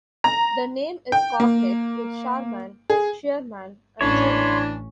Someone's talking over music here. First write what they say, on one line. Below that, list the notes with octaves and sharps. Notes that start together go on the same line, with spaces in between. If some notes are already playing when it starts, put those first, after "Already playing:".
The name is cognate with Sharman, Shearman and Shurman.
A#5
G5
A#3
G#4
A1 E3 C#4 D4 C#5 B5 C6